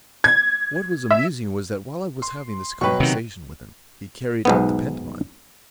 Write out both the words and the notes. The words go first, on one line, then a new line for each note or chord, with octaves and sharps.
What was amusing was that while I was having this conversation with him, he carried out the pantomime.
G#6
E5
C6
B2 F#3 B4 G5 C#6
C3 D#3
B1 G#2 B3